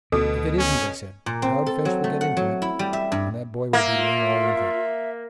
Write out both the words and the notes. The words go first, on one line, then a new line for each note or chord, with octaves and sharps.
"If it isn't," they said, "proud flesh will get into it, and that boy will be lame all winter."
D2 B2 A4
C#4
A#2
C4
A4
F#3
A3
F#5
F#3
E4
G3
E5
G2
A#3 E5
F4